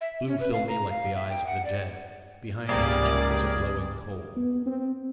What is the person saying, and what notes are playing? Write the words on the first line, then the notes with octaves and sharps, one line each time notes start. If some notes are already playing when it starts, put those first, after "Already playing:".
Blue-filmy like the eyes of the dead, behind each was a glowing coal!
E5
C#4
B4
F5
A#5
F5
E5
G5
F#5
D5
C#2 G#2 C3 G3 A#3 G#4 D5
B3
C4